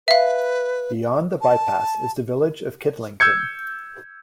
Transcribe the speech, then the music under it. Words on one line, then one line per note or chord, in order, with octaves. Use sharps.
Beyond the bypass is the village of Kidlington.
B4 E5 F5
A5
E6 G6 G#6 C#7